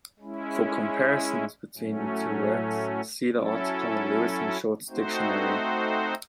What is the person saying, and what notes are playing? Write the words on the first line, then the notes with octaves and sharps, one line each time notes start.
For comparisons between the two works, see the article on Lewis and Short's dictionary.
G#3 C#4 E4
A2 F#3 A3 C#4
F#3 C#4 E4 A4
A3 C4 D#4 F#4 C5